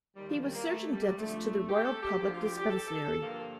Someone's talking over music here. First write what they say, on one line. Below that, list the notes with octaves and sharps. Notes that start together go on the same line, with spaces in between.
He was surgeon dentist to the Royal Public Dispensary.
D#2 D#3 G3
F3
G3
A#3
A3
G3
F2 D3 F3 A3
G4
A4
G4
D2 D3 F3
F4
G4
G4
A4
A4
A4
G2 D3 F3 A#3